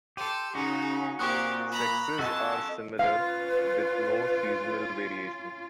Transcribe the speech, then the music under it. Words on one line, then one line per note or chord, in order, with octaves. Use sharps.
Sexes are similar, with no seasonal variation.
G4 A4 C6 D#7
C#3 D#4 F#4
A#2 C4 G4 C#6 D#6 F#6
A#5 B5
F#4 A4 D#5 F#5 G#5 A5 E6
C#4 F4 B4 F5